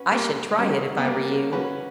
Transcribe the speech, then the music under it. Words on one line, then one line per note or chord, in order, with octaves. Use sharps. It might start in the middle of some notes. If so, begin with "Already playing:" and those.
I should try it if I were you.
Already playing: C#4 F#4 B4
G3 A#3
G3 C#4 F#4 B4
B3
G3 A#3
C#4 F#4 B4